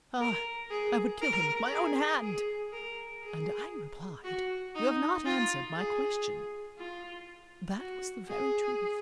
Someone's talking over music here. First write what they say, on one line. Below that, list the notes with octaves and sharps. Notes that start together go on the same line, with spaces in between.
'Ah, I would kill him with my own hand!' And I replied, 'You have not answered my question.' That was the very truth.
A#4
G#4
A#4
G#4
G#4
A#4
G#4
F#4
D#4
F4
G#4
F4
F#4
G#4